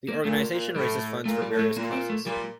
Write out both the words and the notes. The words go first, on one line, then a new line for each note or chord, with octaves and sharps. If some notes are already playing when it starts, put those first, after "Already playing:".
The organization raises funds for various causes.
A#3
A#2 A3
A#2
A2 G3
A#2 A3
G3
A2
A3
A#2 A#3
C4
A3
A#2 G3